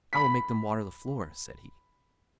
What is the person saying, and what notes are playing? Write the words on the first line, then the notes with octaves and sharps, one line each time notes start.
"I will make them water the floor," said he.
B5 B6